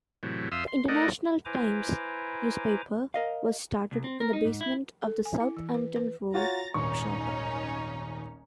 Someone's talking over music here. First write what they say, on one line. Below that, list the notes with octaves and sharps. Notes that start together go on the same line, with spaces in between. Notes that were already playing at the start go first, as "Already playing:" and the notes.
The "International Times" newspaper was started in the basement of the Southampton Row bookshop.
A2 C3 E3 F#3
F2 E5 F5 C6 D#6 E6
C6
A3 D#4 A#4 D5 D#5 F#5
E4 B4 C5 G#5 A#5 D6
A#4 D#5 F5
C2
C4
A#4
D#4
G#2
E4
A4
G#5
E4
E3
B4
B4
F4 F#4 C#5 A#5 A6 A#6
D#1 G#1 C#4 D#4 C#5 C#6